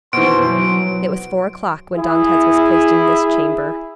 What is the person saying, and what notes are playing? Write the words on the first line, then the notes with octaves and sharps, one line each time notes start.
It was four o'clock when Dantes was placed in this chamber.
B2 E3 C5 D7
F#3
E4 G#4